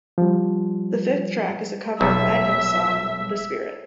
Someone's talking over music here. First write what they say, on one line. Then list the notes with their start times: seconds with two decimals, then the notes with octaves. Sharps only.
The fifth track is a cover of Magnum's song "The Spirit".
0.18 F3 G3
2.01 D#1 B1 E5